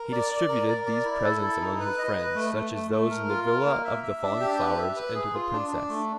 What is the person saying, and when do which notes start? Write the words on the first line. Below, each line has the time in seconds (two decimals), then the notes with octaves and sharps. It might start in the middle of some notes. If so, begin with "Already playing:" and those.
He distributed these presents among his friends, such as those in the villa of "the falling flowers," and to the Princess.
Already playing: A#4
0.12 D5
0.30 D5
0.49 A#4
0.67 A#4
0.86 D5
1.05 E4
1.23 A4
1.42 E4
1.61 D#4
1.79 B4
1.99 D#5
2.17 B4
2.35 A3
2.55 A3
2.73 A3
2.91 A3
3.10 A#4
3.29 F4
3.47 A#4
3.66 A#3
3.85 E5
4.03 E5
4.22 D4
4.40 G4
4.59 B4
4.78 E5
4.96 B4
5.15 G#4
5.34 F4
5.53 D4
5.71 D4
5.89 A3